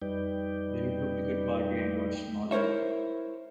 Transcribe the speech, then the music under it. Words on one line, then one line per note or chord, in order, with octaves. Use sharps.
The Republican Party endorsed Norwood.
F2 G3 D#4 B4 D5 G5
E4 A#4 C5 C#5 E5